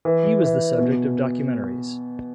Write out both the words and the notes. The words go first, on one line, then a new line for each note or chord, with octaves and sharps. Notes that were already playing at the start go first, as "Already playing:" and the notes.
He was the subject of documentaries.
E3
E3
B2